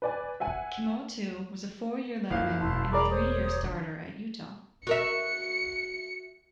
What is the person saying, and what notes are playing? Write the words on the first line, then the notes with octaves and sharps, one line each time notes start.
Kemoeatu was a four-year letterman and three-year starter at Utah.
B4 D5 G#5
E5 F#5 G#5
F#1 D2 F5
E1 E2 E4 A5 C6
G#4 A#4 D5 A#5 B5 D6
C5 C#5 D#6
D3
F#4 A#4 E5 C#7